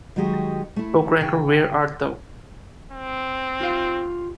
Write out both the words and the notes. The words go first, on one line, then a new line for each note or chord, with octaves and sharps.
O' Cracker Where Art Thou?
D#3 F#3 G#3 F#4 G4 D#5
A3 E4
C#3 G5
C4
F4 G4 F5